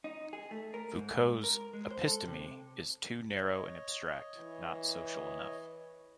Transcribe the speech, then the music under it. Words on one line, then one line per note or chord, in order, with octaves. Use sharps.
Foucault's 'episteme' is too narrow and abstract, not social enough.
D#4
G#4
A3
A#4
G#2
A#4
G#3
C5
A4
C3
C#5 D#5
E3